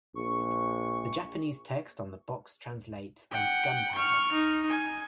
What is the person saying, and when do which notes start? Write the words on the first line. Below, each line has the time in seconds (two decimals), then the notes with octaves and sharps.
The Japanese text on the box translates as "gunpowder".
0.15 A#1 C#6
3.31 F#5 G5
3.95 C#6 F6
4.33 D#4
4.69 G#5